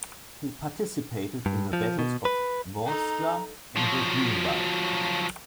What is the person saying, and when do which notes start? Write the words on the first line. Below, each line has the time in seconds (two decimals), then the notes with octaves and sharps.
He participated in the Battles of Vorskla and the Grunwald.
1.46 G2
1.73 F3
1.99 B2
2.25 B4
2.86 D#4 A4 A#5
3.76 F3 F#3